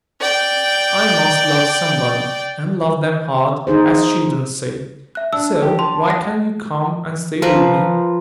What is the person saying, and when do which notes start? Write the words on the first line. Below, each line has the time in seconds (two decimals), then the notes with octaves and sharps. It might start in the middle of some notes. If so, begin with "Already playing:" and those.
I must love somebody, and 'love them hard,' as children say; so why can't you come and stay with me?
0.20 D5 G5
3.67 D#3 D#4 G#4 C5
5.15 E5 F#6
5.33 D4 E6
5.62 G4
5.79 A5 C6
6.08 F#5 A#6
7.42 F3 A#4 B4